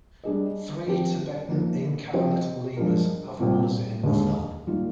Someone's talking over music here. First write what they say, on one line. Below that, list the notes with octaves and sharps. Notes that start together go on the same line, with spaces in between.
Three Tibetan incarnate lamas have roles in the film.
G3 D4 G#4 D#5
F3 C4 G4
F3 A#3 D#4 A#4
F3 C4 G4 C5 D#5
F3 G#3 D4 F4 A#4
C2 A#2 G3 C4
D#2 D3 G#3
D#3 G3 A#3 F4